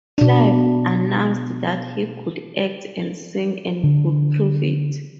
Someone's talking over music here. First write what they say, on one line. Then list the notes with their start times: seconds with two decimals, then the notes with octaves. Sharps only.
Clive, announced that he could act and sing and could prove it.
0.18 B2 D4
3.84 D3